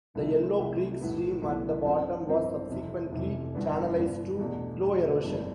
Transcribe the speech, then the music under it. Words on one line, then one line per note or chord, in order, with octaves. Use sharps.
The Yellow Creek stream at the bottom was subsequently channelized to slow erosion.
C2 C3 F3 A3 E4
C2 C3 F3 A3 E4
B1 A2 E3 B3 E4
B1 A2 E3 B3 E4
G2 F3 C4 E4
G2 F3 C4 E4
F1 F2 C3 E3
F1 F2 C3 E3
G1 G2 E3 B3 D4
G1 G2 E3 B3 D4
E2 B2 A3 D4
E2 B2 A3 D4
G1 F2 E3 G3 D4